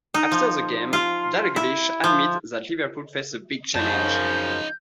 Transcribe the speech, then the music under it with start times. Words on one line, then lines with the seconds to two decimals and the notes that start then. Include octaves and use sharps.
After the game, Dalglish admitted that Liverpool faced "a big challenge".
0.14 D#4
0.32 F3
0.93 F4
1.56 E4
2.04 F3
3.75 F#2 C#3 F3 D#4 A5 G6